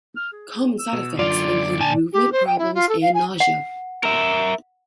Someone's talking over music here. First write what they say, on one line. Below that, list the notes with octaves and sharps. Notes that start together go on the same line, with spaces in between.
Common side effects include movement problems and nausea.
F6
G#4
E6
B2
F#2 D3 F4 D5 D6
A#2 G#5 A5
G4
C5
G5
E4
F4
A4
F5
G#5
F#5
A#4 E5